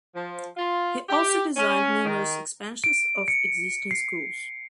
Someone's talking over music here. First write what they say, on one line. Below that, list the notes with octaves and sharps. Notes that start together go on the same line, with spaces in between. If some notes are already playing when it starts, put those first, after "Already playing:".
He also designed numerous expansions of existing schools.
F3
F4
G4
C#4
D#3
D7
C#7
C7